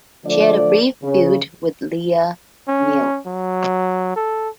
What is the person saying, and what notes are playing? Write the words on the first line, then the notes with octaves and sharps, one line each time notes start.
She had a brief feud with Leia Meow.
D3 F3 A3 D5
C#3
C#4
F#3
A4